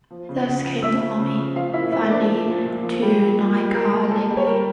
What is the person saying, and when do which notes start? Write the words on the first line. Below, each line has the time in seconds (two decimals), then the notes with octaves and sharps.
Thus came the army finally to Nykarleby.
0.10 F3
0.29 C#3
0.47 C#3
0.64 F3
0.82 F3 E5 E6
1.01 C#3
1.19 C#3
1.38 F3
1.55 F3 F4 F5
1.73 A#2 E4 E5
1.92 A#2 E4 E5
2.10 F3 D4 D5
2.28 F3
2.47 A#2
2.66 A#2
2.83 F3
3.02 G3
3.20 A#2
3.38 A#2
3.56 G3
3.74 G3 A#4
3.93 A#2
4.11 A#2 A4
4.29 G3
4.37 C#5
4.47 G3 A#4